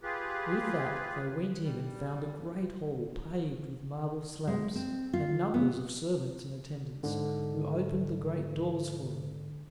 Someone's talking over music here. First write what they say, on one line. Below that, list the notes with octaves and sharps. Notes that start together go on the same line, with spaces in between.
With that they went in and found a great hall paved with marble slabs, and numbers of servants in attendance, who opened the great doors for them.
F4 G4 G#4 B4
G3
G#3
C4
F4
B3
G#2 D3